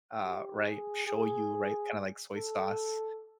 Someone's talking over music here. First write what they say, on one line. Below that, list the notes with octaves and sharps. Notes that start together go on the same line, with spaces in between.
uh, right, shoyu, right, kinda like soy sauce
G4
G#4
G#4
A4